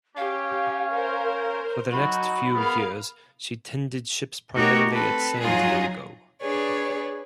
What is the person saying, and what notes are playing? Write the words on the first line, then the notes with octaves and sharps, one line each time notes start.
For the next few years, she tended ships primarily at San Diego.
C#4 G4 F5
A#4 C5
F#3 D#4 F#4 B5
B3 G#4 A#4 F5
A3 D#4 F#4 G4 A#4 C#5
C4 A4 B4
F2 F#3 D#4 F4 G#4
D4 G#4 B4 C#5 D5